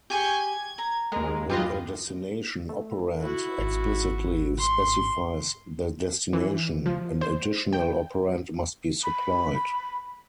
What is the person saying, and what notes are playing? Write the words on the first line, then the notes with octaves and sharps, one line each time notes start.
When a "destination operand" explicitly specifies the destination, an additional operand must be supplied.
G4 G#4 G#5 C#6 G6
G#6
A#5
D#2 G#3 A#4
F#2 F4 G4 B4 D#5
A3
E4 F#4
G#1
C6
E3
F3
C5
G5
B5